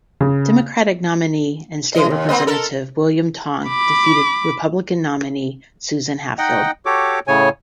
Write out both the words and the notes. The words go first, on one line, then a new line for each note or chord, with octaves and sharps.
Democratic nominee and state representative William Tong defeated Republican nominee Susan Hatfield.
C#3
E3 D#5
D#2
A#3 C4 D#5
A4 A#4
B5 D6
D#4 D#5 F#5 G5
F#4 G4 A4 C#5 D6
A2 C#3 C#5 G#5